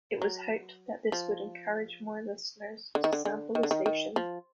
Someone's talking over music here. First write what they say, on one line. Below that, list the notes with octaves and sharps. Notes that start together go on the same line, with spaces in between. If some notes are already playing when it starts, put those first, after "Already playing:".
It was hoped that this would encourage more listeners to sample the station.
F#3
F3
D3
D#3
D3
D3
D#3
D3
D#3
D#3
F3